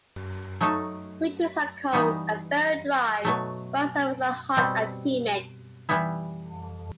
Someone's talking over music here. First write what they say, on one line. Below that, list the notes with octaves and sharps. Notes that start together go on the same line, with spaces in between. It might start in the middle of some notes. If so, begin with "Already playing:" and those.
Winters are cold and very dry, while summers are hot and humid.
F#3 A3 D#4 A4
E3 G3 B3 D#4 F#4
B2 F#3 A3
B2 G3 C4
E3 G3 B3 E4